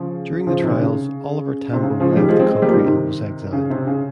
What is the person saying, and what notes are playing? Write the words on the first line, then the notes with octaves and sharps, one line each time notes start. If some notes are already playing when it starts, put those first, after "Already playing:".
During the trials, Oliver Tambo left the country and was exiled.
Already playing: C#3 F3
C#3 F3
C3 D#3
C#3
C3
C#3
C#3 F3
G#3
D#3 G3
F3 G#3
G#3 C4
G#3 C4
G3 A#3
F3
D#3 G3
C3 D#3
C#3
C3
C#3